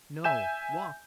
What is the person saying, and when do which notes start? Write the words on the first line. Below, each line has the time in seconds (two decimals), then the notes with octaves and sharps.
No. Walk.
0.24 E5 G#5 G6 E7